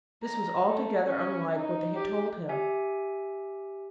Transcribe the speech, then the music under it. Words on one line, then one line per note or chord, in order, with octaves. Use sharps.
This was altogether unlike what they had told him.
A#5
A3
C#4
D#4
G4
G4 E5 G#5